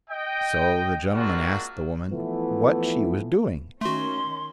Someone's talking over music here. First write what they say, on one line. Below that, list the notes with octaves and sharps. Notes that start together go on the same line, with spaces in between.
So the gentleman asked the woman what she was doing.
D#5 G5
G#3 A#3 C4 D4 F4 F#4
E3 F3 A3 B3 E4
D#3 A3 C#4 F#4 C6